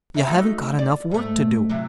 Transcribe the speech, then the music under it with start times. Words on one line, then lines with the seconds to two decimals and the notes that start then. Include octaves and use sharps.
You haven't got enough work to do.
0.14 E2 E5
0.28 A3 D#4 F#4
0.79 D5
1.11 G#2 A3
1.70 C3 F#3 E4